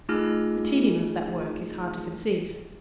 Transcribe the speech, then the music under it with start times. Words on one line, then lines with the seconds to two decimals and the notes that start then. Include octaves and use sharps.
The tedium of that work is hard to conceive.
0.09 A3 D#4 F4 G#4 F6